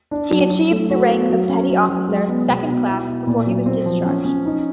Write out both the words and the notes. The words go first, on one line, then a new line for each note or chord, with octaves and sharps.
He achieved the rank of Petty Officer Second Class before he was discharged.
D4
F#3
F#3
A3
F#4
B3
F#3
C#4
F#3
F#3
G#3
B3
B2
B2
E4
E4
A#2
F#3
C4
F3
C#4
C#4
D#4